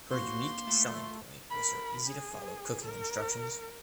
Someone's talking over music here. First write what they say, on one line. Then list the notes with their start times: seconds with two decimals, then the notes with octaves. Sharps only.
Her unique selling point was her easy to follow cooking instructions.
0.10 A#3 F#4 C5 C6
0.67 A3 F4
1.51 A#4 B5
2.08 G#4
2.85 A#4